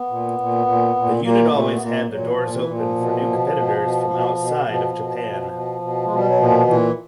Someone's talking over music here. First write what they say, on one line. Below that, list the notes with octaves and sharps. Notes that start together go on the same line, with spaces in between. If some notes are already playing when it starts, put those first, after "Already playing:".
The unit always had their doors open for new competitors from outside of Japan.
Already playing: B3
A#2
A#2
A#2
A#2
A#2 A#3
A#2 A3
B3
A#2 A#3
A#2 F#3
E3
F3
A#2
E3
A#2
F3
B2
B2
B2
B2
B2
B2
B2 F3
B2
B2
B2
B2
B2 G#3
G3
F#3
A#2 F3
A#2 E3